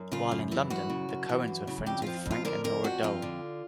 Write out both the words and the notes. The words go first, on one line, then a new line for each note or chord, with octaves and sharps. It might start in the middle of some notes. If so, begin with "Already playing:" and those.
While in London, the Cohens were friends with Frank and Nora Doel.
Already playing: F#2
C#3 F4
F#2
E3
F#2 F#4
C#3
F#2
E3
F#2
C#3
F2 G4
F3 F4
F2
F4
D3 A#4
F2 A#4
F3 F#4
F2 F4
D3